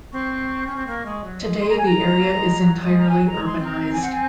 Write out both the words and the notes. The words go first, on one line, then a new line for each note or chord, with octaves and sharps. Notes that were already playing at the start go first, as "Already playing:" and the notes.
Today the area is entirely urbanized.
C4 C#6
C#4
C4
A#3
G#3
F#3
G#3
G#3 C6
A#5
F#3 G#5
A#5
G#3
A#3
G#3
F#3
G#3
A#5
F#3 G#5
A#5
G#3
C6
C4
A#5
A#5
G#5
F#5
G#5